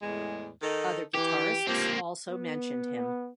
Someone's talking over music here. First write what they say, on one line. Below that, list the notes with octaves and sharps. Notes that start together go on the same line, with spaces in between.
Other guitarists also mentioned him.
E2 A2 G#3
D#3 D#4 A4
E3 G4
F3 A#3 C4 G4
B3